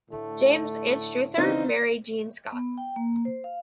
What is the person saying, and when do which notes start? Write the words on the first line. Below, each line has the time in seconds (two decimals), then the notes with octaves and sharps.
James Anstruther married Jean Scott.
0.10 A2 D3 A3
1.37 D#2 C#3 E3 C4 D#4
2.52 B3
2.78 G5
2.96 A#3
3.25 C5
3.44 F5